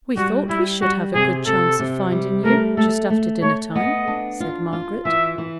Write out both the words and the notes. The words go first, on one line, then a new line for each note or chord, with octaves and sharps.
'We thought we should have a good chance of finding you, just after dinner-time,' said Margaret.
G3 F#4
G3 E4
G3 F#4
C3 G#4
C3 A4
C3
G3
A3 A#4
A3 A4
A3
A3 C#5
B3 D#5
D4
F4
F4
E3 E5
E3